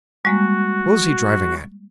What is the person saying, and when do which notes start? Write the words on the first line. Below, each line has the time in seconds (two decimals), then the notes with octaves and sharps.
What was he driving at?
0.25 G3 G#3 A#3 F#4